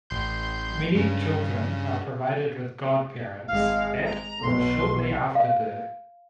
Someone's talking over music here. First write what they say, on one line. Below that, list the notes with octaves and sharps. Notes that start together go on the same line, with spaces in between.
Many children are provided with Godparents at or shortly after birth.
A1 C6 G6
G2 C#3
G#1 G#3 F5
A#5
B1 B2 C6
F5